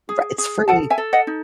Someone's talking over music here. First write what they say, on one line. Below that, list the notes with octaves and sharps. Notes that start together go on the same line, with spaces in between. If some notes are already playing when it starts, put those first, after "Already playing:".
Right, it's free.
G#4
G#4
A4 F#5 A5
E5 G#5
A4
D#5 F#5
D#4